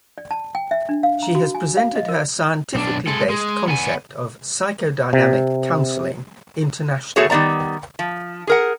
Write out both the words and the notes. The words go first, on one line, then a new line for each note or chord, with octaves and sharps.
She has presented her scientifically based concept of psychodynamic counseling internationally.
D5
A5
G5
E5
D4
F5
A#5
F#4
G#5
F5
D#5
A#4
B1 D4
G#3 A4
G#3
B3 G#5
C3
A3 B3 F#4 G#4 C#5
D#3 G3 B3 D5 A#5
F3
G#4 A#4 F#5